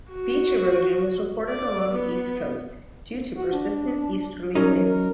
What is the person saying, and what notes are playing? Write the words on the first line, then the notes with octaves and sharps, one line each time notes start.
Beach erosion was reported along the east coast, due to persistent easterly winds.
F#4
D5
B3
F#4
D4
F#3 C#4 D#4 A#4
A#4